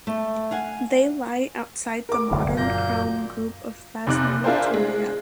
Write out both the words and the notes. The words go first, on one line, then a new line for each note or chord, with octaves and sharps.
They lie outside the modern crown group of Phasmatodea.
A3
F5 F#5 G#5
A#4 D6
F#1 D2 C3
F#2 A#2 A#3 G6 A#6
F1 C3 D#4 D6 F#6
D4 E4 F4 G#4 A#4 C5
G#3